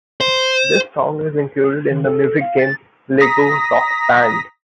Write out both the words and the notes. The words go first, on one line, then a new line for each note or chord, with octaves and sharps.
This song is included in the music game "Lego Rock Band".
C5
D#3
A4
F5
A6
A#5 D#6 A#6 B6